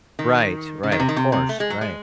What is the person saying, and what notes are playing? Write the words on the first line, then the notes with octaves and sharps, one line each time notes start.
Right, right, of course, right.
D#3
C#3
D#3
C3
D#3
C3
C3
A3
G#3
F#3
G#3